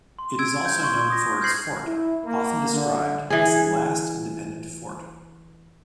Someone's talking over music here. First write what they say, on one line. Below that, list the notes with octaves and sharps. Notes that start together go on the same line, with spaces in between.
It is also known for its fort, often described as the "last independent fort".
C6
E6 G#6 D7
G6
C6 C#6 G#6
D#6 A#6
F6 G6 G#6 A#6 C7 F#7
E4
A#3
D3
E3 G#4